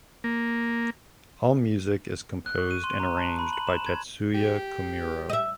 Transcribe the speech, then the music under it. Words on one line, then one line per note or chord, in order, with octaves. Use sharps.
All music is composed and arranged by Tetsuya Komuro.
A#3
F#6
C#6
D#7
C6
A#5
A5
B5
F#7
E7
G#6
G4
D#5 E5